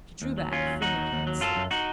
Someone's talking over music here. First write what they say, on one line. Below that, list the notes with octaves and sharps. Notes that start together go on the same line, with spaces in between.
She drew back, freeing her hands.
D#2
F#3
D#2 C#4 F4
F#3
D#2 D#4 F#4
D#2
D#2
F#3
F#2 F4 A4
F#2
D#4 F#4